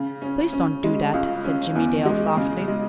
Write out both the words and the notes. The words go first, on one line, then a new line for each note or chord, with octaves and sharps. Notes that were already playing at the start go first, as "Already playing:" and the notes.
"Please don't do that," said Jimmie Dale softly.
Already playing: C#3
C#4
C#4
G#3
C#2
C#4
E2
G#3
C#3
G#3